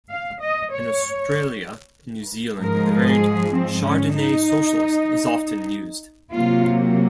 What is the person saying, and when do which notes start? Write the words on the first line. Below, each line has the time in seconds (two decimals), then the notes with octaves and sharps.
In Australia and New Zealand, the variant "Chardonnay socialist" is often used.
0.10 F5
0.41 D#5
0.72 C#5
2.59 G#2 F3 G#3 A#4
3.05 G#4
3.52 C4
3.83 C#4
4.14 D#4
6.32 C3 F#3 A#3 F4